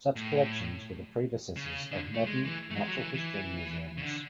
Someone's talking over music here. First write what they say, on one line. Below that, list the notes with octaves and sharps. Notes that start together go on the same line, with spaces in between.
Such collections were the predecessors of modern natural history museums.
A2
C#3
D3
A3
G#3
E3
A3
F#3
G#3
F#3
E3
E3
C#3
D3